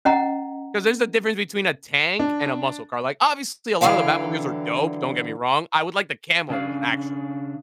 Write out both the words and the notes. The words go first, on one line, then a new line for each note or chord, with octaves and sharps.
'Cause there's a difference between a tank and a muscle car. Like, obviously, a lot of the Batmobiles are dope. Don't get me wrong. I would like the camo one, actually.
C#4 D#5 F#5 A#5
D4
D3 E3 F#3 F5 G5
C#3 D4 F5